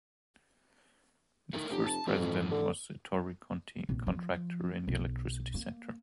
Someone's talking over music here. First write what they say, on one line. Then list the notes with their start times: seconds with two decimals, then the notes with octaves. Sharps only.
The first president was Ettore Conti, contractor in the electricity sector.
1.53 A3 D#4 A#4
1.71 F1 G4
1.86 A5
2.07 F2 E3 B3 G4
2.19 G#2 E3
2.51 D3
3.89 A#1
4.07 F3
4.87 B1
5.54 A#3